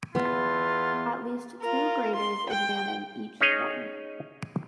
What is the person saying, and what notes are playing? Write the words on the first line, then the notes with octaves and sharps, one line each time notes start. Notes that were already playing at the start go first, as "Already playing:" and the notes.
At least two graders examine each coin.
E2 B3 F4
F4 A#4
C6
G5
C#4 D#4 G#4 C#5 D#5